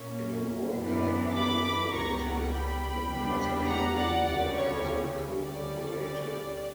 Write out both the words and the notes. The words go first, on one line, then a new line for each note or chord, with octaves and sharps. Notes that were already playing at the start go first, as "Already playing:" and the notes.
In a worker cooperative, the members are people who work for the cooperative.
Already playing: A#2 A#3 C#4
F#2 E3 B3 D4
B5 D6
C#2 C#3 G3 B3 A#5 C#6
F#5 A#5
G5 B5
E2 C#3 G3 B3 D4
F#5 A#5
D5 F#5
D2 C#3 G3 D5
C#5
D2 C#3 G3 C#4 D5
D5